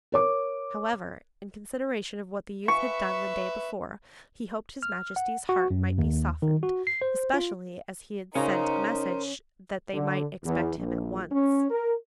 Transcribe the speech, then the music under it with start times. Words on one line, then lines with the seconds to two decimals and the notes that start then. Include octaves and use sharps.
However, in consideration of what the youth had done the day before, he hoped his majesty's heart might be softened, especially as he had sent a message that they might expect him at once.
0.12 A#4 C#5 D6
2.68 B4 E5 C#6
4.83 F6
5.16 F#5
5.49 F#4
5.70 F#2
5.98 D#2
6.42 D#3
6.63 F#4
6.87 C7
7.02 C5
7.34 F4
8.35 C#3 C#4 D#4 A#4 C5 A#5
9.94 D3
10.44 E2
10.77 A#1
11.32 C#4
11.71 A#4